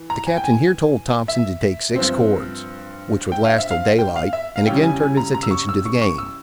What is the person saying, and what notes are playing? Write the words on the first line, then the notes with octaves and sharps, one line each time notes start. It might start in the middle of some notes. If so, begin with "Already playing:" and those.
The Captain here told Thompson to take six cords, which would last till daylight--and again turned his attention to the game.
Already playing: E3
A#5
G#5
G5
G#5
E5
G2 F3 C4
G5
F5
E5
F5
G5
F5
E5
F5
C#3 G3 C#4 E4 G5
G#5
G#5
A#5
A#5
E6
C#6
E6
C#6
C#6
E6